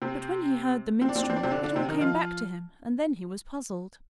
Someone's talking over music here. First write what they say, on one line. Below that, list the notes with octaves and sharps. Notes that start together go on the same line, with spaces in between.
But when he heard the minstrel it all came back to him; and then he was puzzled.
C3 C4
C4
D4
C4
D4
C4
D4
C3 C4
D3 D4
D3 D4
C3 C4
D#3 D#4
F3 F4